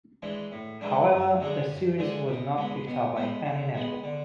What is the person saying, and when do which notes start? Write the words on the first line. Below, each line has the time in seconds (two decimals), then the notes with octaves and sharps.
However, the series was not picked up by any network.
0.22 E3 G#3 D4
0.52 A2
0.81 E3 G#3 D4
1.11 F#2
1.40 D3 G#3 D4 G#4
1.69 F#2
1.99 D3 G#3 D4 G#4
2.28 B2
2.57 G#3 B3
2.87 B2
3.16 G#3 B3
3.45 D3
3.74 G#3 B3
4.04 D3